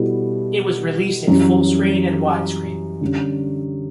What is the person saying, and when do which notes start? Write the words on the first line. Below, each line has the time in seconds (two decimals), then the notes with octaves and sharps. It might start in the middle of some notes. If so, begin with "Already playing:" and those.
It was released in Full Screen and Widescreen.
Already playing: B2 G3 B3 E4 A4
1.28 F#2 E3 G3 C#4
3.01 D3 G3 C#4